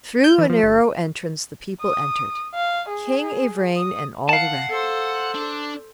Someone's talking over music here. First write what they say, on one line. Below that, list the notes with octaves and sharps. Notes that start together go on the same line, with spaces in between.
Through a narrow entrance the people entered--King Evrain and all the rest.
G6
E3
F3
G1
D#6
F5
G#4
D#6
F5 F#5 A5
A4 C5
D4